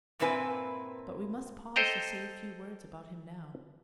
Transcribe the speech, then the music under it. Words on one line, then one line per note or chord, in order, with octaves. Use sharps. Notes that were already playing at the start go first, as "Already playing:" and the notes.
But we must pause to say a few words about him now.
G2 A#2 C4 E4 B4 G#5
A4 C5 D#5 G5 A#5